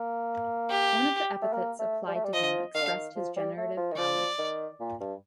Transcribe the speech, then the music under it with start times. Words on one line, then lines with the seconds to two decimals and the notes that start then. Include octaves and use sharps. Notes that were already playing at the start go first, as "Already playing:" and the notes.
One of the epithets applied to him expressed his generative powers.
Already playing: A#3
0.70 G4
1.42 A3
1.53 A#3
1.79 A3
2.07 G3
2.15 A3
2.24 G3
2.34 F3 D#5
2.74 D#3 F5
2.83 D3
2.90 D#3
3.16 F3
3.36 G3
3.57 A3
3.77 F3
3.92 D#3
3.97 F3 D5
4.38 D#3
4.80 A#2
5.00 G2